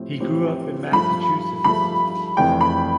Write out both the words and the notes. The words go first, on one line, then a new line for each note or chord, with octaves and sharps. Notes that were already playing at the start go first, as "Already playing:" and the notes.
He grew up in Massachusetts.
Already playing: A2 F3 C4 G4
A2 F3 C4 G4
G2 F3 A3 B5
G2 F3 A3 B5
F1 F2 E3 G5
B5